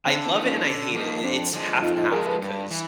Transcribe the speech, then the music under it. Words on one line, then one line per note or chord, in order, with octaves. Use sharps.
I love it and I hate it, i it’s half and half because
D3 C4 D4
C4 D4
F3 A#3 D#4
C#4
D3 C#4
F3 A#3 D#4
F2 C4 D4
D3 F3 G#3
F2 D#4 F4
D#4 F4
D3 F3 G#3 G#4 A#4
A4 B4
G2
E3